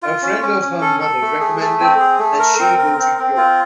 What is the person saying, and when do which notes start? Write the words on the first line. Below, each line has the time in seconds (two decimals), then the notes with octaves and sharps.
A friend of her mother recommended that she go to Europe.
0.03 F4
0.22 C#4
0.42 C#4
0.61 C#4
0.81 A4
1.00 A4
1.21 A3
1.40 G#4
1.59 A3
1.80 C4
2.00 G#4
2.19 A3
2.39 A#4
2.59 C4
2.78 A#4
2.98 C4
3.19 C4
3.37 F4